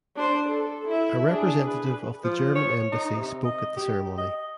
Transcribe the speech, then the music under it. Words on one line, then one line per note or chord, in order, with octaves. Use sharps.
A representative of the German embassy spoke at the ceremony.
D4 C5
A4
E4 E5
D4 G#4
G#4 B4
F3
C#5
D#4
C3
D#5
G4
D#5